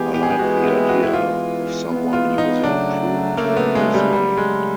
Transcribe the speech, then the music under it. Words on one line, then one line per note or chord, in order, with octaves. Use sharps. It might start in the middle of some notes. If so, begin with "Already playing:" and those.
I like the idea of someone using prude this way.
Already playing: E3 G#3 B3 G4 G#4
G4
G#4
G4
E3 G#3 B3 F#4
E4
F#4
E4
E3 G#3 B3 F4
E3 G#3 B3
F4
D#4
C#3 F#3 A3 D4
C#3 F#3 A3 A#3
B3
G#3
G3
C#3 F#3 G3 A3
G#3